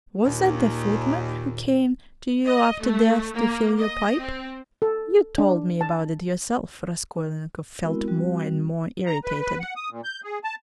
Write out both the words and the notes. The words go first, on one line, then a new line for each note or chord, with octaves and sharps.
"Was that the footman who came to you after death to fill your pipe?... you told me about it yourself." Raskolnikov felt more and more irritated.
D#2 A#2
D#5
A3
A#3
D#5
C4
A4
D4
A5
G#3 B3 C4 E4 F#4 A#4
G3 C4 F#4
A#5
B4
B4
F#5
D#6
A#2
G6
G#4
A5